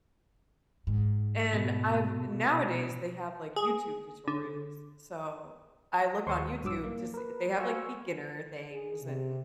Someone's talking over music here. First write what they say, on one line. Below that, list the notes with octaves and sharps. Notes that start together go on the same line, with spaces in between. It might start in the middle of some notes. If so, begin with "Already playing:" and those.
And I've nowadays, they have, like, YouTube tutorials, so I look on YouTube to see they have like beginner things and
G#2
B2
G#4
D3
D#2 C5 C6 C#6
A#1 G2 F#3 D6 E6
A#3
A#4 B4
F#4 C5 F5 G#5 C#6 E6
G#4
C3